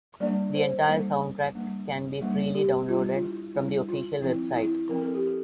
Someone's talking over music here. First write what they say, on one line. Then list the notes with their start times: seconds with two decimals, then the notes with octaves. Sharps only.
The entire soundtrack can be freely downloaded from the official website.
0.20 G3 A#3 D4 D5
0.55 C5
0.88 G3 A#3 D4 A4
1.55 G3 A#3 D4
2.21 G3 A#3 D4
2.54 G4
2.88 G3 D4 F4
3.14 F4
3.22 E4
3.55 G3 D4 E4
3.88 F4
4.22 F3 C4 E4
4.56 E4
4.89 F3 C4 A#4
5.01 A4
5.14 G4
5.27 A4